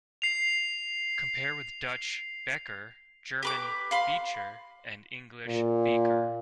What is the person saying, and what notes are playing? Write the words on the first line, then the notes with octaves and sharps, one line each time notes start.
Compare with Dutch "beker", German "Becher" and English "beaker".
C7 F7
G4 B4 D6
F5 B5 C6
A#2